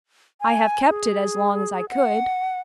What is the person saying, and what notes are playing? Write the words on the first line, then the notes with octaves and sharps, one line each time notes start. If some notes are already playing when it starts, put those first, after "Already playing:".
I have kept it as long as I could.
G#5
G#4
F#5